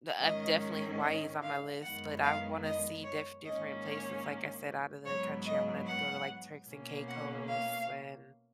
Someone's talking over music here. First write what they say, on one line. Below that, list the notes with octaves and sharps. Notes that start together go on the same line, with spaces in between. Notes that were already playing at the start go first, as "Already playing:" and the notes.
the, uh definitely Hawaii is on my list, but I wanna see diff different places, like I said, outta the country. I wanna go to, like, Turks and Caicos and,
G#2 D#3 G#3 C#4 D#5
D#5
F5
F#2 D#3 G#3 B3 F#5
F5
D#5
C#5
G#2 D#3 A#3 C#4 D#5
C#5
G#2 F#3 B3 C#5
D#5
F#5
B2 A#3 C#4
F#5
F5